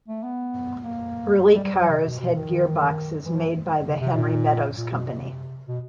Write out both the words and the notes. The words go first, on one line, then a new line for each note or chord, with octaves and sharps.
Early cars had gearboxes made by the Henry Meadows company.
A3
B3
A#3
G#3
G3
G3
F#3
C3
B2
B2
D#3
E3
F3
C#3
C3
A#2
A#2
B2
C3
B2